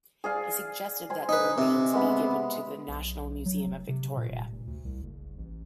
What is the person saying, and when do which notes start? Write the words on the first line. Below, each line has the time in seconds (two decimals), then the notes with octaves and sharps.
He suggested that the remains be given to the National Museum of Victoria.
0.24 G#4 D5 F5
1.10 C5 G#5 C6
1.29 D#4 B4
1.58 C3
1.93 G#3 B3 B5
2.88 B1
3.45 F#3
3.66 F1
3.88 C3
4.16 A#2
4.29 D#1
4.52 F1
4.67 D2
4.85 C2
5.02 F#1
5.38 A1